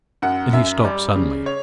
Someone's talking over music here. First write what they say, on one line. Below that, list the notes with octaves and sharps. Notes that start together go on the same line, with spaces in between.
Then he stopped suddenly.
F#2 F#5
F#2 E5
G3 D5
C#3
C#5